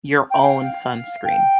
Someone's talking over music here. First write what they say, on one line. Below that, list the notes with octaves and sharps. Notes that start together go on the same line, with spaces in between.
your own sunscreen,
G5
F5
G5